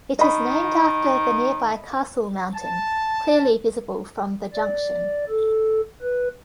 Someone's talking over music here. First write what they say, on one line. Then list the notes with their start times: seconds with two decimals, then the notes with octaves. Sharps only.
It is named after the nearby Castle Mountain, clearly visible from the junction.
0.19 D#3 D#5 B5
2.55 A5
4.54 D5
5.29 A4
6.01 B4